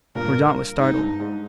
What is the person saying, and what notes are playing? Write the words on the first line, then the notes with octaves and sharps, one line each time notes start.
Mordaunt was startled.
G2 A#2 A#4
G#2 D#4
G2
G#2